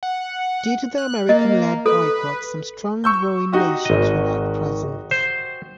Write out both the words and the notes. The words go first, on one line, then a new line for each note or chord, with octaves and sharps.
Due to the American-led boycott some strong rowing nations were not present.
F#5
F#6
A#3 D#5
A4 B4
C#6 E6 G6
D#4 F#4 G4
G#1 D#5
C5